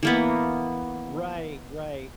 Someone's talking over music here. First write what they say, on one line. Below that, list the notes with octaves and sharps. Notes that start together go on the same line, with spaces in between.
Right, right.
E3 A#3 B3